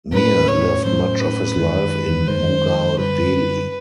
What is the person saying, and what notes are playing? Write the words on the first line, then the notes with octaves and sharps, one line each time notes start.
Mir lived much of his life in Mughal Delhi.
A2 F#3 A3 C#4 B4
C#5
A2 F#3 A3 C#4 C5
B4
F#2 D#3 G#3
F#2 D#3 G#3 C5
F#2 D3 G3 B4